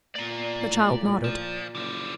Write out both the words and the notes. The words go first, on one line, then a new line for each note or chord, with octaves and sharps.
The child nodded.
A#2 D5 A#5
A2
F3
F#1 D3 F3